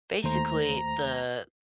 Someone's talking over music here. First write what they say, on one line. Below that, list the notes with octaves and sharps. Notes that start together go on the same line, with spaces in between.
basically the
D#2 A3 C5 A#5